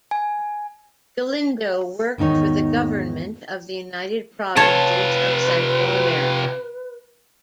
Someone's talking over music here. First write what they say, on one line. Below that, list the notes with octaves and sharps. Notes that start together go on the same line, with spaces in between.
Galindo worked for the government of the United Provinces of Central America.
G#5
E2 G#2 D#3 D#4 C#5
C3 F4 B4 C#5 A5